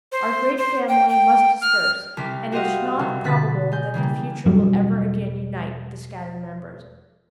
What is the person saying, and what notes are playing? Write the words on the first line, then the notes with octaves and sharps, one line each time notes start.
Our great family must disperse, and it is not probable that the future will ever again unite the scattered members.
C5
C5
G5
G5
F6
C2 D6 B6
F#4 G4 C5 D#5 F5 F#5
C2
B2 D3 F#6 A6 B6
G#3 G6
C#3 E3 G3 A#3
E1 F#3 G3